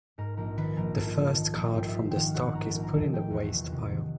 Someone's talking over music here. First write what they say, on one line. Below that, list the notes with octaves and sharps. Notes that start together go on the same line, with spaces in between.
The first card from the stock is put in the waste pile.
G#2 A#4 A#5
A#1 A#4 A#5
D#3 B4 B5
A#1 A#4 A#5
G#2 A4 A5
A#1
D#3
A#1
G#2 G4 G5
E5
A#1 F4 F5
D#3 F#4 F#5 G5
F5
A#1 F#4 F#5
G#2 A#4 A#5
A#1 A#4 A#5
A#5
D#3 A4 A5
A#1 G4 G5
E2 F#4 F#5
F1
C3
D#3